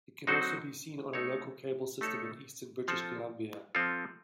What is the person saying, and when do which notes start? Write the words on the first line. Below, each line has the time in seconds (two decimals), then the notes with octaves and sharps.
It can also been seen on local cable systems in eastern British Columbia.
0.27 F#3 C4 D#4 F#4 C5
1.13 A3 D#4 A4 C#5
2.01 A3 D#4 A4 C#5
2.88 F3 C4 F4 A4
3.75 F3 C4 F4 A4